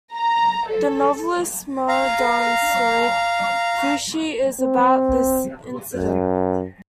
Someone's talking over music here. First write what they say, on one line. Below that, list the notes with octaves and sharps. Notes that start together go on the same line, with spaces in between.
The novelist Mao Dun's story "Fushi" is about this incident.
A#5
A4
F5 A#5
C4
F#2